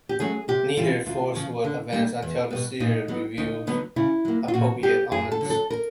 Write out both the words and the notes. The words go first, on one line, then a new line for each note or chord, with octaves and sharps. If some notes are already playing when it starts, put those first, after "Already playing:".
Neither force would advance until the seer revealed appropriate omens.
G4
F#3 A3 C#4 G#4
C3 G4
E3 G3 F4
D2 F4
C#3 F3
D3
G3 A#3 D#4
E2
B2 G3 B3
A#2 D#4
F#3 B3
D2 D#4
D3 F#3 B3 D#4
C#3 E4
F#3 A#3
F4
A#2 F#4
G3 B3 G4
F#2 G#4
A4
D3 F#3
A4
A#4